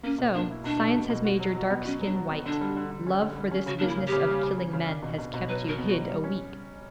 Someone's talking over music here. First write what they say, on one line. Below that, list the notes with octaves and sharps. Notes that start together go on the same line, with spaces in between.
'So! Science has made your dark skin white; love for this business of killing men has kept you hid a week.'
A#3 C#4
B2
A#3 D4
E4
B2 D4
B2
B2
B2
F#4
F#3
F#3
B3
C#4 F#4
F#3 D4
F#3
B3
D3 D4
G3
D3
D3
C#4
D3
G3
C#4
C#3 F#4
A#3 D4
E4
C#3
G4
C#3
G3
C#3
C#3
C#3
D4
B2
B2
B2
F#3 B4
F#3
A#4
B3
F#4
F#3
G3
C#4